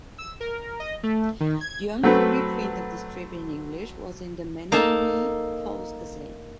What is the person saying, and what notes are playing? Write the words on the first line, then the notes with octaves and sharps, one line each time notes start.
The only reprint of the strip in English was in "The Menomonee Falls Gazette".
E6
A#4
D#5
A3
D#3
G#6
F#3 A3 C4 A4 B4
A#3 D#4 A4 G#5 A5